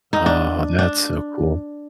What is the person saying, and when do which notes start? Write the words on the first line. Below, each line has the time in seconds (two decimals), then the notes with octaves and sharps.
oh, that's so cool.
0.13 D#4
0.26 D4
0.79 D4